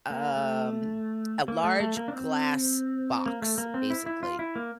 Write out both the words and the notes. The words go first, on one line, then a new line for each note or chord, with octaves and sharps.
um, a large glass box, basically,
A#3
A3
A#3
A3
A3
A#3
D4
C4
A#3
A3
A#3
C4
E4
E4
F4
E4
A#3